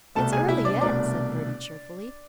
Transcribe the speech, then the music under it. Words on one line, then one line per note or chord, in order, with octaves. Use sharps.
"It's early yet," said Bertie cheerfully.
C2 B2 A3 A4 A5
G#4 G#5
E4 E5
D4 D5
C2 B2 A3 D4 D5